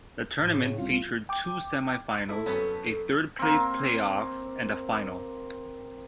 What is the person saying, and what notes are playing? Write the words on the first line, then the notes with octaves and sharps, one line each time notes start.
The tournament featured two semi-finals, a third-place play-off, and a final.
A2
C#3
C2 F4
G5 D6
E4 A4
F#2 B3 C#4
A#3 C4